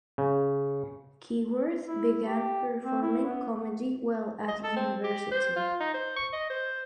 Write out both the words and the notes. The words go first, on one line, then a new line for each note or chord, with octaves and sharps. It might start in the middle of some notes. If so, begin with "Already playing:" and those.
Keyworth began performing comedy while at university.
C#3
E4
G4
C4
E4
B3
D#5
A4
C4
G4
C5
F4
D#4
C5
C#6
D#5
C5